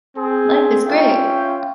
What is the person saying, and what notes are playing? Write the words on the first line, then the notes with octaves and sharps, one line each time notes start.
Life is great!
C4 G#4
C#4 F4 E5 G5